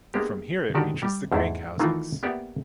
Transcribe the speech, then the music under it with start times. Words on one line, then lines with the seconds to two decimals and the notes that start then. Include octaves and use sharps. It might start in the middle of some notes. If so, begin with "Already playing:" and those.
From here it reaches the crank housings.
0.14 G#3 A#3 B3 D4 G4
0.75 D3 D#3 F#4 G4 D5
1.02 G3 G4
1.32 E2 G#2 A3 E4 C5
1.80 D#3 E3 A3 D#4 F4
2.23 A#3 B3 G4 D5 E5 F#5